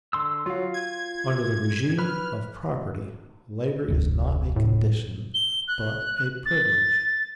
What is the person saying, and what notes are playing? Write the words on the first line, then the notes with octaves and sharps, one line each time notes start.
Under the regime of property, labor is not a condition, but a privilege.
D3 C6 E6
F#3 F4 F5
G#6
B4 B5 F6
F1 D2
A2
G7
F#6
A6